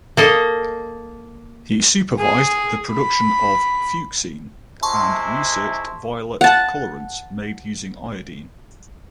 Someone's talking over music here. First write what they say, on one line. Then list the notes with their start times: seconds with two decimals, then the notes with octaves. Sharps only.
He supervised the production of Fuchsine and researched violet colorants made using iodine.
0.17 A#3 A4 D#5
2.20 G#4
2.92 B5
4.83 C3 G#3 E4 A5 C6 C#6
6.41 F#5 A5